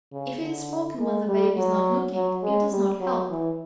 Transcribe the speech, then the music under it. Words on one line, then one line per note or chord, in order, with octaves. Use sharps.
If it is spoken when the baby is not looking, it does not help.
C#3
D3
G#3
G3
F#3
F#3
G#3
G3
F#3
E3